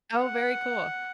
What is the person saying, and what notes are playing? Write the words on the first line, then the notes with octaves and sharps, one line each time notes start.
Oh, very cool.
F#5